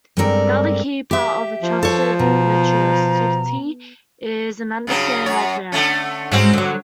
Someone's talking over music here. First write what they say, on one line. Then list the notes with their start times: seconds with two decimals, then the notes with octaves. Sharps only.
The other key part of a trusted meritocracy is an understanding of merit.
0.17 G2 G#3 C4 A4 A#4 D5
1.11 G4 E5
1.62 F3
1.83 A4 C#5
2.19 B2 A#5
4.87 G2 C#3 F#3
5.26 F#2 C#5
5.72 D3 A3 C#4
6.32 G#2 G#3 C4 C#4 F#4
6.53 D3 F#3